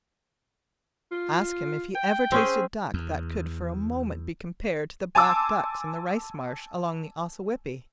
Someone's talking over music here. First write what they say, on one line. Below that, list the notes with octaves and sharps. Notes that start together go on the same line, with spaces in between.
Ask him if he ever tasted duck that could for a moment be compared to the black ducks in the rice marsh along the Ossawippi.
F4
G5
C4 C#4 G#4
E2
G#5 A5 C6 D6 E6